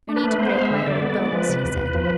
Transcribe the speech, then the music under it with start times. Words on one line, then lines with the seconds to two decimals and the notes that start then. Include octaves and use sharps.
"No need to break my old bones," he said.
0.09 D4
0.16 B4
0.24 A3
0.39 B3 C5
0.55 G#3 F5
0.63 E5
0.71 D3
0.86 D3 D5
1.02 B3
1.10 D5
1.18 G#3
1.32 F3 B4
1.49 C3
1.65 E2
1.80 E2
1.95 F3